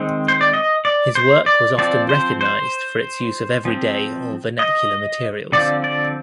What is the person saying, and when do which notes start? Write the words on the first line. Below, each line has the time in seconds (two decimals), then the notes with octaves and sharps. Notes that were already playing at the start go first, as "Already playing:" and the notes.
His work was often recognized for its use of everyday or vernacular materials.
Already playing: D#3 G#3 C4
0.28 C5
0.41 D5
0.54 D#5
0.85 D5
1.15 C5
1.46 D5
1.78 F3 C4 D5
2.09 C5
2.41 C5
3.65 F3 C4
4.59 D#5
5.52 D3 F3 C4 D5
5.84 D5